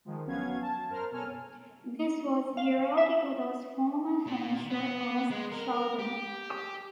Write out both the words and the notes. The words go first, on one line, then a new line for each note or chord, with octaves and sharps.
This was Hirooki Goto's former finisher as "Shouten".
D#3 F3 G#3
G1 F#3 B3 C#4 F5 G#6
A5
F#2 A#4 C5 F6
B2 A4 C#5 G#5 F6
F5
E5
A#2
B3
G#3
A#4
G4